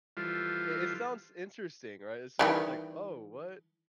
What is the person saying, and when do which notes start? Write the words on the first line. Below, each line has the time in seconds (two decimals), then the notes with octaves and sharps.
it it sounds interesting, right? It just sounds like, "Oh, what?"
0.17 E3 F3 G3 F4 A4
2.39 D#3 E3 G3